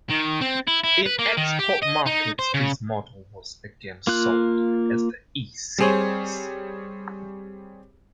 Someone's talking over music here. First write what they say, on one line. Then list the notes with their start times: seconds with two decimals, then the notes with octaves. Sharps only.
In export markets this model was again sold as the E-series.
0.11 D#3
0.42 C4
0.68 E4
0.84 E4
1.06 B4
1.19 A#3
1.37 D#3
1.59 G4
1.83 D#5
2.07 D#4
2.39 C5
2.54 C#3
4.07 A#3 F4 F#6
5.78 G3 C4 G#4 C5 C#5